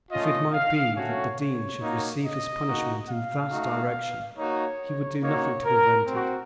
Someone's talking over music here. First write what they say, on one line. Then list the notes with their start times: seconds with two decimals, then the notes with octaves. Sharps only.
If it might be that the Dean should receive his punishment in that direction he would do nothing to prevent it.
0.11 A3 C#4 F4 D#5
0.54 F5
0.96 A3 C#4 F#4 C#5
1.39 C#5
1.82 A#3 D#4 F#4
2.24 D#5
2.67 A#3 D#4 F#4
3.09 F5
3.51 A3 D#4 F#4
4.37 A#3 D#4 F#4 C#5
5.22 A#3 D#4 F#4 C#5
5.64 A#4
6.07 C4 F#4